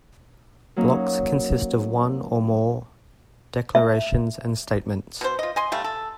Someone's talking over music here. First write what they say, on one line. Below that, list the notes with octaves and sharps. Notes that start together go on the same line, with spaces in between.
Blocks consist of one or more declarations and statements.
F#3 A#3 C#4 D#4
E5
B2 C5
F4 D#5
D#5 G#5 C6
G3 A3 F5
A4